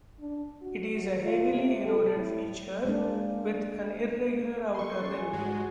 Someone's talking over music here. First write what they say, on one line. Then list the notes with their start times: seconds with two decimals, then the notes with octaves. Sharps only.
It is a heavily eroded feature with an irregular outer rim.
0.20 D4
0.62 F#4
1.22 F4
1.53 C3
1.85 A4
2.14 A2
2.85 G#3 A#3 D4
4.74 A4 C6 C#6
5.01 C#4 G4 A6
5.17 G#5
5.33 G#2 G#3 F#4